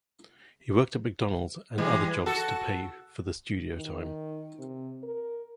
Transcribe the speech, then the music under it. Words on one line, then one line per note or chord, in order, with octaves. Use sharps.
He worked at McDonald's and other jobs to pay for the studio time.
E3 G3 G#3
F#4 A4
D#3
C3
A#4